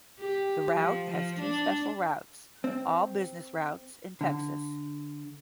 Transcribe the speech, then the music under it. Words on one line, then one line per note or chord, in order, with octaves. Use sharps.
The route has two special routes, all business routes in Texas.
G4
F3
F3
D4
C4
D3